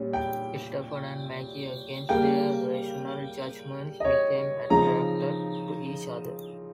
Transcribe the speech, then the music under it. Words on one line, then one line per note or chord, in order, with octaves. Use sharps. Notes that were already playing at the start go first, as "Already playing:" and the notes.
Stephen and Maggie, against their rational judgments, become attracted to each other.
Already playing: A#2 G3 C#4
G5
C#3 G3 A#3 G5
D#5
C#5
C#3 F3 C4 D#4 A#5